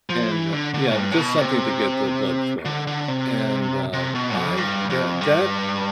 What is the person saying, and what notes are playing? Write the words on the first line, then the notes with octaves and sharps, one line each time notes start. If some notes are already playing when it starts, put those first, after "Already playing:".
And, uh Yeah, just something to get the blood flowing. And, uh, I that that
F3
E3
D3
D3
G2
A2
B2
C3
D3
D3
C3
C3
B2
F2
G2
F2
G2